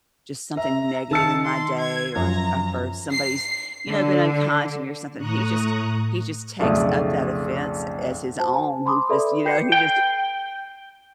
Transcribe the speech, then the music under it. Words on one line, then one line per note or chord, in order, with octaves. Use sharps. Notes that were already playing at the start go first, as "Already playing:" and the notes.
just something negative in my day or ar or somebody's, you know, been unkind to me or something, he just he just takes up that offense as his own. He just, you know, he just
E5 A#5
D#3 A5 E6 C#7
C6
G#6
F#2 F3 A#5
C7
D3
A2 A#5 C#6 D#6 F#6
B1 F2 C#3 A3 D5 D#6
F#4 C5 A5
G#5
B5 C6 D6 D#6
A4 B4 D5 E5 B5
F#4 G5 G6 C7 C#7
G5